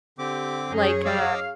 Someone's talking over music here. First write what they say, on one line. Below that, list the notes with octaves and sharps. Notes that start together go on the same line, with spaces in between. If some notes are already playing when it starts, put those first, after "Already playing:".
like, uh
D3 C4 G4 D6
F#2 C#4 D#4 G#4 C#5
D#5 F5 D6 E6